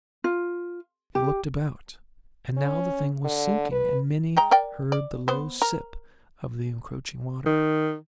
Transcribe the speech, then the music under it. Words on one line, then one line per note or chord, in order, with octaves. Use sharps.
They looked about, and now the thing was sinking, and Minnie heard the low sip of the encroaching water.
F4
G4
C#4
D3
B4
G#3 G5 A#5
A#4 D5 G5
D5
B3 C5
A#4
D#3